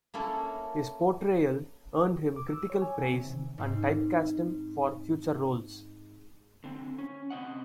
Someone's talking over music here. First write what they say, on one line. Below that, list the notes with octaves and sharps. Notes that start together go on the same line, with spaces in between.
His portrayal earned him critical praise and typecast him for future roles.
A#3 C#4 E4 A4 A#4
D6
E6
C#5
G#5
C4
C3
D#3
G#2 C4
D3 C4
C#4
C3 C4 D#5 F#5